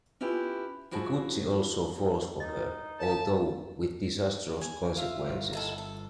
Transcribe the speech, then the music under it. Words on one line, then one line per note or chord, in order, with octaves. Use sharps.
Kikuchi also falls for her, although with disastrous consequences.
C#4 E4 F4 G4 B4
F3 E4 F#4 G#4 G5 A5
D#4 D#5
C#5 F5 A5
G#5
F4 E5
G1
D#3 E4 A4
A4